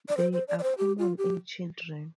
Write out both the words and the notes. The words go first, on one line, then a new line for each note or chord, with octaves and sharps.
They are common in children.
D5
C5
C5
D5
D5
C5
G4
F4
G4